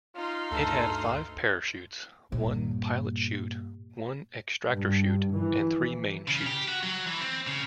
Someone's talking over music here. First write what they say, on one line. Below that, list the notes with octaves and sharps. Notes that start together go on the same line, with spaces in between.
It had five parachutes: one pilot chute, one extractor chute, and three main chutes.
D#4 F4 C6 F6
D2 G2 A4
G2 A#2
G2
E3
C#3
G4
F#4
F#3
E3
C4
C#3